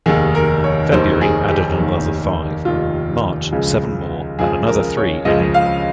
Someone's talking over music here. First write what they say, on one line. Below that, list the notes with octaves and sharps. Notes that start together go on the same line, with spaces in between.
February added another five, March seven more, and another three in April.
F1 D#2 D#3 G#4
A#4
C#5
F1 D#2 D#3 C5
G#4
G4
F1 D#2 D#3
F1 D#2 D#3 F4
C#2 C#3 F3
C#2 C#3 F3 G#4
A#4
C#5
C#2 C#3 F3 D#5
F5